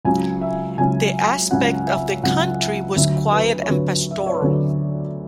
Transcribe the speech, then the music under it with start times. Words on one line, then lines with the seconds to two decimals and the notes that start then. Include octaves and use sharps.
The aspect of the country was quiet and pastoral.
0.05 C#2 C#3 F#3 C#4 G#5
0.41 E5
0.78 C#2 C#3 F#3 C#4 G#5
1.51 C#2 C#3 F#3 C#4 F#5
1.87 E5
2.23 C#2 C#3 F#3 C#4 F#5
2.60 E5
2.96 D2 D3 F#3 E5
3.32 B4
3.63 C#5
3.69 D2 D3 F#3 B4
4.11 E5
4.19 D5
4.26 C#5
4.34 B4
4.42 D2 D3 F#3 A4